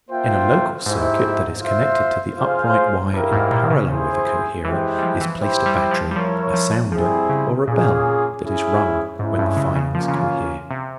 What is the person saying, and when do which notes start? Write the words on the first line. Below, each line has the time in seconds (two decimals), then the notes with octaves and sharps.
In a local circuit that is connected to the upright wire in parallel with the coherer is placed a battery, a sounder, or a bell, that is rung when the filings cohere.
0.10 A#3 F4 C5 E5 G5
0.86 G#2 G#3 E4 G4 C5 E5
1.62 F4 C5 E5
2.37 F4 G#4 C5 F5
3.13 G2 E4 G4 A#4 F5
3.32 G#2
3.51 A#2
3.70 C#3
3.89 E4 G#4 C5
4.65 E3 G#3 E4 G4 C5 G5
4.98 G3
5.03 F3
5.21 E3
5.40 E4 G4 C5
5.66 G3
5.91 F3
6.11 G3
6.16 F3 E4 A#4 C#5
6.54 F3
6.92 F3 G3 C4 E4 G#4
7.29 C#3
7.67 A#2 A#3 C#4 F4 G#4
8.44 C#4 E4 G#4
9.19 G#2 G#3 C#4 E4
9.38 G2
9.57 C#3
9.76 C#3
9.95 F3 A#3 C#4 F4
10.08 C#3
10.14 E3
10.70 C3